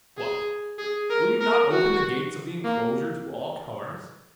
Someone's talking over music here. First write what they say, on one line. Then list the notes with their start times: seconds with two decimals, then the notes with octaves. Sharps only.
"What! will you not open the gates of the enclosure to all comers?"
0.17 G#4
0.78 G#4
1.10 A#4
1.41 A#4
1.71 F#4
2.64 A#3